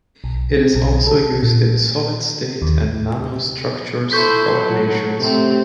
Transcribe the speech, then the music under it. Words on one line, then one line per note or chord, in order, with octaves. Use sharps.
It is also used in solid state and nanostructures calculations.
B1
C4
B1
A4
A#2
D#2
E4 A4 C5 C#6 G6 B6
F#3
C3 A3 C4